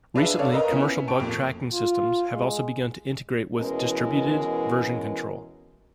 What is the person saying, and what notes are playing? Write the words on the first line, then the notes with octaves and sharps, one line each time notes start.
Recently, commercial bug tracking systems have also begun to integrate with distributed version control.
D4 G#4 B4 E5 F5
A4 C#5 D5 F5 E6
A#4 B4 D#5 A#5 D#6
B3 C#4 E4
G4 A5 C#6 D7
F2 A#2
F4
G#3
B2 E3 G#3 C#4 E4 A#4